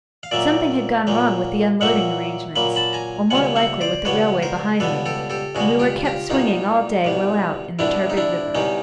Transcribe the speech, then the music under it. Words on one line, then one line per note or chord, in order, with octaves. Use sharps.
Something had gone wrong with the unloading arrangements, or more likely with the railway behind them, and we were kept swinging all day well out in the turbid river.
F5
A#2 F#3 A#3 D5 E5
A#2 F#3 A#3
A#2 F#3 A#3 E5 F#5
A#2 F#3 A#3 B5
A5 B5
G#5 A#5
C#2 B2 G3 B3 F#5 G#5
E5 F#5
C5 D5
C#2 B2 G3 B3 B4 C#5
A#4 C5
C#2 B2 G3 B3 A4 B4
G4 A4
G4 A4
C#2 B2 G3 B3 F#4 G#4
F4 G4
F4 G4
C2 B2 G3 D#4 F4
C2 B2 G3
C2 B2 G3 D4 E4
D#4
D4 E4
C2 B2 G3 C#4 D#4